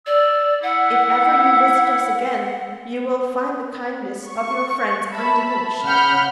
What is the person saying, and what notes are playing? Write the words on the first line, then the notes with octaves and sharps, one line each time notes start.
If ever you visit us again, you will find the kindness of your friends undiminished.
D5 E6
E4 F#5
C#6
E5 A5 B5
C#3 F#5 B5 F6 G6